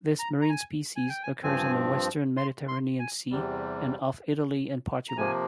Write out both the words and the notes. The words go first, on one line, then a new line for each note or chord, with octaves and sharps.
This marine species occurs in the Western Mediterranean Sea and off Italy and Portugal.
A#5
A#5
G#5
G#5
G5
G#5
G2 F3 C4 G#5
C6
C6
G#5
E2 C3 G3
A#5
C3 F3 A#3 G#5